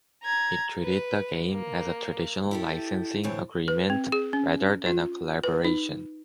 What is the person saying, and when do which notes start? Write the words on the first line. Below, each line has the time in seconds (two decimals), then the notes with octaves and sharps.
He treated the game as a traditional licensing agreement rather than a collaboration.
0.23 A#5 G#6
0.83 B4
1.50 A#3
2.51 E4 G4 A4
3.23 A2 D3 E3 C4 C#5
3.68 B4
3.90 C4
4.12 G#4
4.33 C#4
4.86 F4
5.44 B4
5.64 D#4